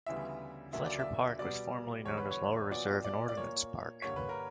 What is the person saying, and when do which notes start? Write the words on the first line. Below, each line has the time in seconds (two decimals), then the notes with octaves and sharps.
Fletcher Park was formally known as Lower Reserve and Ordinance Park.
0.06 D2 C#3 E3 G3 B3 E5
0.73 D2 C#3 F#3 A#3 E5
0.85 D5
0.99 E5
1.39 B2 G3 B3 D5
2.05 E2 D3 G3 C#5
2.17 B4
2.31 C#5
2.70 A#2 F#3 B3 D5
3.04 D5
3.29 D5
3.37 A#2 A#3 C#5
4.02 G2 D3 G3 A#3 C#5
4.16 B4
4.29 A#4